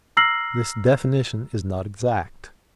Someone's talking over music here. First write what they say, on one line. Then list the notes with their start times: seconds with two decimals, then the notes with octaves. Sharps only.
'This definition is not exact.
0.17 A#5 E6 F6 A#6 C7 F#7